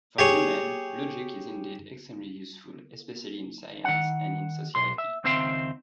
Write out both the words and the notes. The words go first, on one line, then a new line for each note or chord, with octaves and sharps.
For Newman, logic is indeed extremely useful especially in science and in society.
G4 G#4 C#5
D#3 F#5
B1 C6
E5
C#2 D#3 C4 E5 F5 C6